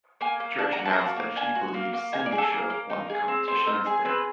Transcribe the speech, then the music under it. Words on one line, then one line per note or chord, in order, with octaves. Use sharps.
Church announced that she believed Cyndi should have won the competition instead.
A#3 G#5
A#3
D4 A5
A#5
F#4
A5
A#5
A#3 A5
A#3
D4 G#5
F#4
A#3
A#3
D#4 G#5
D5
G#4
A4
A#3 A#4
A#3
D#4
G#4
C4
C4
A4
D#4 A#4
G#4
C4 B4